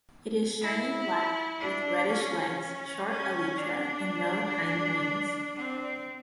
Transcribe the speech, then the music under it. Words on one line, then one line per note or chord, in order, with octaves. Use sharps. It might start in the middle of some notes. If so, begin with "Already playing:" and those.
It is shiny black with reddish legs, short elytra and no hind wings.
E4
D4
C#4
C#4
D4
C4